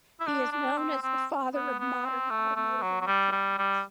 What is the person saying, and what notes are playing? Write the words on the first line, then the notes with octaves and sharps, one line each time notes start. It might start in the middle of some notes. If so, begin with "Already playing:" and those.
He is known as the father of modern automotive electronics.
E4
D4
D4
C4
C4
B3
B3
C4
A3
A3
F#3
F#3
G3
G3
G3